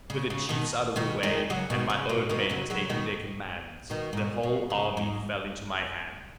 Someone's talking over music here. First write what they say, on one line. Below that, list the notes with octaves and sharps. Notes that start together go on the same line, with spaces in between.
With the chiefs out of the way, and my own men taking their commands, the whole army fell into my hands.
C#3
C#3
B2 D#3
B2 D#3
D#3 G#3
C#3 F#3
B2 D#3
C#3
B2
B2 D#3
C#3 F#3
C#3 F#3
B2 D#3
B2 D#3
G#2
B2
B2
C#3
G#2